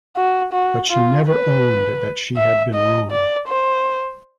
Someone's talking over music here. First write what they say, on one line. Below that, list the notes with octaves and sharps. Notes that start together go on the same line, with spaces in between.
But she never owned that she had been wrong.
F#4
F#4
F4
B4
E5
D#5
D5
C5